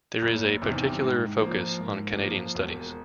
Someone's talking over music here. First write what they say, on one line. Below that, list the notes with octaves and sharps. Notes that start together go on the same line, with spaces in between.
There is a particular focus on Canadian studies.
F#1
E2 C3 D#3 G3
G#2
F3 A#3
G#2
F3 A#3
E1